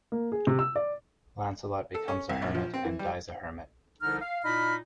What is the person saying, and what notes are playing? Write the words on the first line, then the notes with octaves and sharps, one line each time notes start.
Lancelot becomes a hermit and dies a hermit.
A#3
G#4
C3
E6
D5
A4
C#4
C2
A#1
F3
C4
E3
G3
C2 D3 F3 D#4 F6
F5
A#2 D#4 E4 D#5 B5 F6